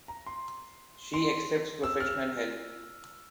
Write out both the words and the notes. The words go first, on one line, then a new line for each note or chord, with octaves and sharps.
She accepts professional help.
A#5
C6
C6
E6
F6